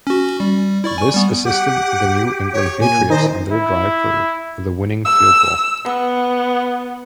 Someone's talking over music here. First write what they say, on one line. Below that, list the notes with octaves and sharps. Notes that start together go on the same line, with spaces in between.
This assisted the New England Patriots on their drive for the winning field goal.
C#4 F#4
G3
E4 D5 C#6
G#5 C#6
G3 B3
G4 F#5
C#5
A#2 G#5
D#3 D#4 C5
E4
E6
B3